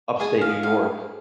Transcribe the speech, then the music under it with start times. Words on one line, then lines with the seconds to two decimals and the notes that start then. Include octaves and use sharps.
Upstate New York,
0.20 G#4 G#5
0.41 F5
0.49 G#4
0.63 F5